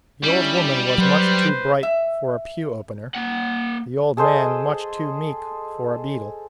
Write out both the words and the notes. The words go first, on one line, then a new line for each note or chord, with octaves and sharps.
The old woman was much too bright for a pew-opener, the old man much too meek for a beadle.
G3 C#4 E4
F#3 B4 C5
E5
A#3 F#5
G#4 A4 C5 D#5